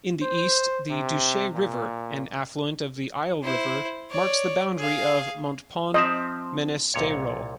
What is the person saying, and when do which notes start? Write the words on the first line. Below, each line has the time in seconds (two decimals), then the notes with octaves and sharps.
In the East, the Duche River, an affluent of the Isle River, marks the boundary of Montpon-Ménestérol.
0.22 C5
0.90 C3
1.54 A#2
3.43 E4 C5
4.10 C#5 D5
4.78 G#4 F5
5.94 F3 C4 D#5 E5
6.94 C2 A#2 C#5